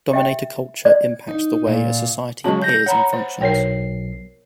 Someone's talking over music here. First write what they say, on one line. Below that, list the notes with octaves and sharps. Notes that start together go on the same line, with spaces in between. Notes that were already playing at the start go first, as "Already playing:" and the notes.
Dominator culture impacts the way a society appears and functions.
G4 E5 G5
D5
D#4
A#2
C#3 F#3 G#3 A5
G6 A#6
C#5 F#5 A#5 B5
C5
B1 A#4 C#5 G5 C7